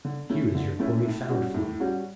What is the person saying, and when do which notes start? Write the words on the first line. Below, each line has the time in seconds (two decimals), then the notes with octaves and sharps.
Here is your quarry found for you.
0.05 D3
0.29 A3 C#4 E4
0.54 D3
0.79 A3 C#4 E4
1.05 A2
1.29 G3 C#4 F#4
1.54 A2
1.80 G3 C#4 F#4